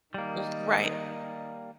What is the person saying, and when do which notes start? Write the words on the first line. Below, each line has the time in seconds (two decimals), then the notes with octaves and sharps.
M Right.
0.14 D#3 G3 A#3 D#5